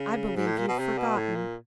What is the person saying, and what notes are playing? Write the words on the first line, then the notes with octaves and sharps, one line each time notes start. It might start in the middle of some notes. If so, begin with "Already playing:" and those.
"I believe you've forgotten."
Already playing: C#3
G#2
A2
A#2
B2
C3
B2
A2
A#2